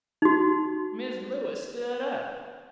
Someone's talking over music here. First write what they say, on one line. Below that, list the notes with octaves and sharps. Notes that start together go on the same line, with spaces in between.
Mrs. Lewis stood up.
D#4 F#4